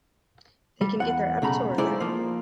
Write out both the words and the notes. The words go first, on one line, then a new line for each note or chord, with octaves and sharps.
They can get their Abitur there.
G3
E2 F#5
B1 C#3 A3 A#5 B5
G#3 A3 D#4 E4 C5 D5
F3 A#3